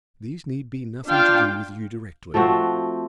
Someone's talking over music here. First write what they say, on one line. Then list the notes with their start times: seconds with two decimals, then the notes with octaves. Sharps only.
These need be nothing to do with you directly.
1.08 D4 F4 F5 G5 F6
2.34 F3 A3 C4 F#4